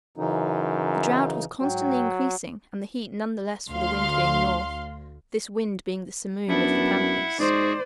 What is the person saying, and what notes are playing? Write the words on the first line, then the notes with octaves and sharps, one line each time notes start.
The drought was constantly increasing, and the heat none the less for the wind being north, this wind being the simoom of the Pampas.
F#2 C#3 E3 D#4
G#2 F#3 G5
D2 F5 C6
F#2 B3 D4 E4 E5 F#5
G#2 F#4 G#4 C5 D5